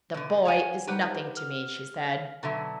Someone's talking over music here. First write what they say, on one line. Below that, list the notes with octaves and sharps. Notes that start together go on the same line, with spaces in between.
"The boy is nothing to me," she said.
B2 D3
C#5 F#5 G#5
D#4 G4 B4 C5 F#5 A#5
F6
B2 D3 F#3 E5 A5 A#5